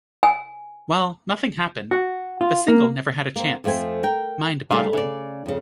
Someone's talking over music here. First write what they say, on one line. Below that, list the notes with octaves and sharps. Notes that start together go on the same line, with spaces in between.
Well, nothing happened... the single never had a chance... mind bottling...
G#5
F#4
F4
A#3
A#3 C4
F2 F3 A3 C4 G#5
A#4 G5
C#3 G3 A3 D#4 E5 F5
C#3 D5
F2 C#3